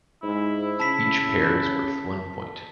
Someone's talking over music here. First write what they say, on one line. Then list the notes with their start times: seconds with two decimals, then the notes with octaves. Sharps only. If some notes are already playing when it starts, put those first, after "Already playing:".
Each pair is worth one point.
0.23 G#2 E4
0.80 C#3 A5 B6